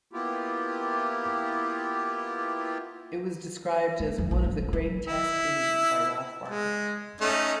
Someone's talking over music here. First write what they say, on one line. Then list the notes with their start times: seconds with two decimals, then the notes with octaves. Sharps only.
It was described as "one of the great Test innings" by Ralph Barker.
0.13 A#3 B3 E4 F4 G4
4.00 A#3
4.18 F2
4.31 A#1
4.44 F#1
4.61 D#1
4.73 E4
4.86 F#3
5.07 E4
6.48 G#3
7.21 A3 C#4 D#4